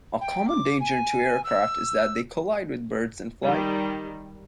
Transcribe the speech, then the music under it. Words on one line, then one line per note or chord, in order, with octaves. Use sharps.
A common danger to aircraft is that they collide with birds in flight.
G5
D6
G#5
E6
D#3 G3